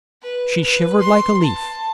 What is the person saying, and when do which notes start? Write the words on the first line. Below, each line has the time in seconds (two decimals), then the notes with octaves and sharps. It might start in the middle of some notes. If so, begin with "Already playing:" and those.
She shivered like a leaf.
0.22 B4
0.62 B4
0.99 C6
1.42 A5